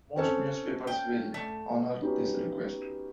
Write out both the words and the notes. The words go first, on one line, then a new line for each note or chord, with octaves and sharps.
Most newspapers will honor this request.
C4 C#4 A4
G5
A3
B3 C#4 D#4 F#4 G4